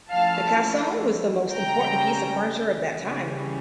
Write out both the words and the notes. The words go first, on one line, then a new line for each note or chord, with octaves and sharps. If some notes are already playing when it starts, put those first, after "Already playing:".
The cassone was the most important piece of furniture of that time.
F3 A3 C#4 E4 F5 A5
C#3 G3 C#4 G5 A#5
C#3 E3 G3 C#4